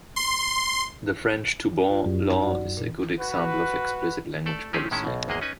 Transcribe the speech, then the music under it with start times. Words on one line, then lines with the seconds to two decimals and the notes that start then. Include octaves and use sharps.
The French Toubon law is a good example of explicit language policy.
0.16 C6
1.90 F4 D5
2.06 F#2 G4
2.20 D#4
2.41 F#4 D5 F#5
2.77 A#2
3.17 F#4 B4
4.46 A3 A4 D5
4.73 F3 A3 C4 C#4 G4 G#4
4.91 A2 D#3 G#3 C#4 E4
5.04 B1 B2
5.28 G#1 E2 G#3 A#3 G#4 D#5
5.41 C#4 D#4 B4 G#5